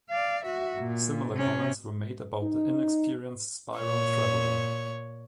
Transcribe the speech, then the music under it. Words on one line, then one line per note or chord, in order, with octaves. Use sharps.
Similar comments were made about "The Inexperienced Spiral Traveller".
D5 F5
F#4 E5
A#2
C3 C#4
D#4
A#2 C#5